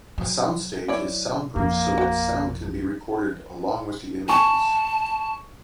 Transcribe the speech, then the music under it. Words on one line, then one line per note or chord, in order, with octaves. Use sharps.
A soundstage is sound-proofed so that sound can be recorded along with the images.
F#3
E4 C#5 D5
A1 F2 A#3
F#4
G#5 A5 C#6